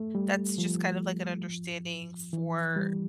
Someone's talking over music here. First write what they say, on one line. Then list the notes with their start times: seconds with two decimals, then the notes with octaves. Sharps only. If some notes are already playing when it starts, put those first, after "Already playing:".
that's just kind of like an understanding for
Already playing: A3
0.15 G3
0.58 F3
2.33 E3
2.76 G3